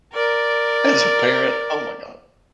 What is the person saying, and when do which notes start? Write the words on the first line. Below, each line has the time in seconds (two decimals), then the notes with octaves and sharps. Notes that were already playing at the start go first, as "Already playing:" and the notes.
As a parent, oh my god.
0.13 A#4 D5